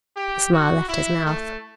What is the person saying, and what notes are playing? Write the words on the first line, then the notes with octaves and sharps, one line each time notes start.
The smile left his mouth.
G4
F#4
E4
A3